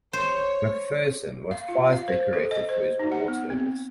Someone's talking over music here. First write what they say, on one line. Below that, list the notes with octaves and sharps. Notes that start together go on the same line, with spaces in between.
McPherson was twice decorated for his war service.
C5 C#5
F5
F4
F5
C5
A4
D#5
C5
D#4
F#5
B3
C4